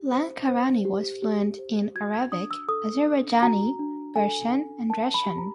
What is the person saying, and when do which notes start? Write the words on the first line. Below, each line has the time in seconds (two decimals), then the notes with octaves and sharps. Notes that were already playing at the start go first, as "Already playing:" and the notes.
Lankarani was fluent in Arabic, Azerbaijani, Persian, and Russian.
Already playing: G4
0.12 C5
0.48 C5
0.85 G4
1.22 G4
1.59 C5
1.95 F#4 G#6
2.14 G#6
2.32 D4 D#6
2.51 E6
2.68 A4 D#6
3.05 D4
3.42 F#4 A#5
3.79 D4
4.16 A4 G#5
4.52 D4
4.89 A#4 A5
5.14 B5
5.26 G4
5.38 A#5